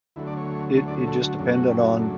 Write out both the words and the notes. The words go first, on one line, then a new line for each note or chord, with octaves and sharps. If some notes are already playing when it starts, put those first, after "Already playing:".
It it just depended on
D2 D3 F#3 A3 E4
D5
C#5
C#5
D5
C#5
A4
F#4
F#2 C#3 F#3 A3 D4
F#4
G4
F#4
D4
D4